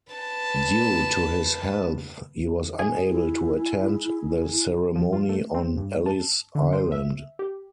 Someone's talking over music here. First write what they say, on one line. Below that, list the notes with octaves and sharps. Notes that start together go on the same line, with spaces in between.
Due to his health, he was unable to attend the ceremony on Ellis Island.
B4 A5
G#4
E4
F3
F4
A3
C4
G2
A5
D3
C5
E5
G4